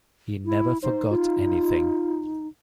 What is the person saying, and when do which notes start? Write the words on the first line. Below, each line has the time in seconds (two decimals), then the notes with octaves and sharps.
He never forgot anything.
0.46 E4
0.82 D#4 C5
1.11 F4